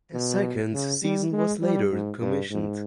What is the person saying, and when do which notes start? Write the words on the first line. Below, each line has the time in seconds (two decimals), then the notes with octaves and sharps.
A second season was later commissioned.
0.14 B2
0.73 C#3
1.02 G3
1.32 G#3
1.62 G3
1.91 G#2
2.21 G2
2.50 G#2